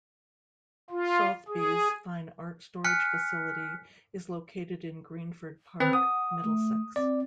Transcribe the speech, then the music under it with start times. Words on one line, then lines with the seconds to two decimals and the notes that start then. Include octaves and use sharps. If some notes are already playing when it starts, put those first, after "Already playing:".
Sotheby's Fine Art Storage facility is located in Greenford Park, Middlesex.
0.90 F4
1.48 G#4
2.84 G#5 F6 F#6 B6 C#7
5.80 D#3 C4 B4
5.93 F#5 D#6
6.44 A3
6.96 C4 D5